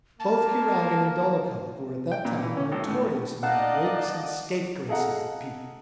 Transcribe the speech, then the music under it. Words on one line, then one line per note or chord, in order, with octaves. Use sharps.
Both Kuragin and Dolokhov were at that time notorious among the rakes and scapegraces of Petersburg.
A#3 A5
G5
A#2
E3
C#4
G#1
A2
D#4 D5 D#5 F5 F#5 A5
G#4 A4 D#5 F5 F#5 A#5